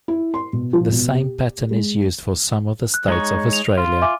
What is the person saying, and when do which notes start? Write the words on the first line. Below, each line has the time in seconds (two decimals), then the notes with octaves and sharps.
The same pattern is used for some of the states of Australia.
0.08 E4
0.34 C6
0.53 B2
0.73 F3
0.92 B2
1.15 G4
1.71 G#3
2.94 F#6
3.08 G#3 D#4 C#5
3.53 F7
3.77 F4
4.02 E5 G#5 D6